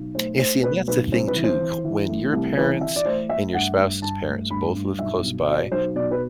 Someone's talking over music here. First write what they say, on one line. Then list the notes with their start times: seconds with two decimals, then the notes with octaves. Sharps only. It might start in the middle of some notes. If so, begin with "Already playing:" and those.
And see, and that's the thing too, c when your parents and your spouse's parents both live close by,
Already playing: B1
0.15 A3 C5
0.39 A3 C5
0.63 B2 B4
0.87 B1 B4
1.12 C2 C5
1.28 B4
1.36 E3
1.44 C5
1.60 E3
1.84 E3
2.08 A3
2.32 C2
2.57 E3 B4
2.81 E3 E5
2.96 D5
3.05 A3 C5
3.29 A3 E5
3.54 G2 F#5
3.78 G2
4.02 G2 A5
4.26 A3
4.50 G2 B5
4.75 G2
4.99 B1 E5
5.23 B2
5.48 F#3 D5
5.72 B1 C5
5.96 B2 D5
6.11 B4